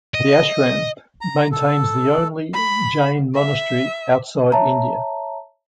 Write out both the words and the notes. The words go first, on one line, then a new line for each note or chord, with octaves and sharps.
The ashram maintains the only Jain monastery outside India.
D#5
A#5
A4
B5
E5
C#5 E5 A5 A#5